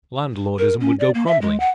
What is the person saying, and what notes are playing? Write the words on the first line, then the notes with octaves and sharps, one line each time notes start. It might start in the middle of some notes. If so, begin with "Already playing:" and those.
Landlordism would go crumbling.
A#4
C#4
D5
A#3
E5
G#3
F#5